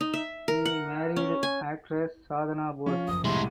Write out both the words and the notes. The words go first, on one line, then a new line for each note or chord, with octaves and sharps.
He married actress Sadhana Bose.
D#4
E5
A#4
F#5
C#4
G#5
F3 C#4 F4
F#1 D#6
C2 A2 C3 G#3 E4 C6